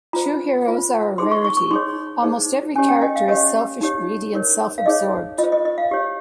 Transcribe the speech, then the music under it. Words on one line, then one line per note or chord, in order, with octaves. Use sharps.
True heroes are a rarity: almost every character is selfish, greedy, and self-absorbed.
F4 C5 A#5
F4 C5
D#4 G#4 C5 C6
C#6
C#6
C#6
D#4 G#4 C#5 C6
D#4 G#4 C5
C#4 G4 C#5 G#5
G5
D#5
F5
G4 C#5 D#5
D#4 G4 C#5
D#4 A#4 C#5
F5
D#4 G#4 C#5 D#5
F4 D#5
C5
D#5
D#5
F5
G4 C#5